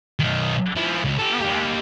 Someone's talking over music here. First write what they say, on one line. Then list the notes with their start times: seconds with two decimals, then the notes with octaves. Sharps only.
Oh wow.
0.20 B1 D#3
0.76 F3 E4
1.04 C#2
1.19 G4 A4
1.41 A#3 G4